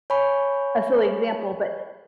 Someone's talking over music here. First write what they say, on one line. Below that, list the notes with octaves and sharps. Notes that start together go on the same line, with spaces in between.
a silly example, but
C#5 G#5 B5 C#6